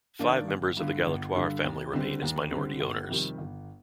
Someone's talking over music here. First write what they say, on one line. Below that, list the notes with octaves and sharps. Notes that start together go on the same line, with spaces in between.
Five members of the Galatoire family remain as minority owners.
D#3 A#3 D4
G1
G2 D3
G1
G2 D3
D#2
D3 G3 C4
D#2
D3 G3 C4
G1
F2 C3 D#3 G3
G1